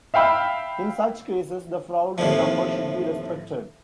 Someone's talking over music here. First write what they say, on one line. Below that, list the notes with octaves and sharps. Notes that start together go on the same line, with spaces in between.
In such cases, the Froude number should be respected.
E5 F5 G5 B5 E6
D#2 A2 C3 F3